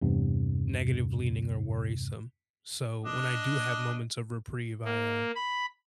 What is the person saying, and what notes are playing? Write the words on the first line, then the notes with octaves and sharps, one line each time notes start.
negative leaning or worrisome. So when I do have moments of reprieve, I, uh,
E2 G2 C3
D4 D#5
A#3
B5